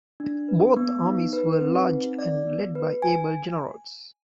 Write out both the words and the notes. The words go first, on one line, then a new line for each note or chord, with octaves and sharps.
Both armies were large and led by able generals.
D4
B4
B3
D#4
B4
C4
D#4
D5
B3
B4
G#5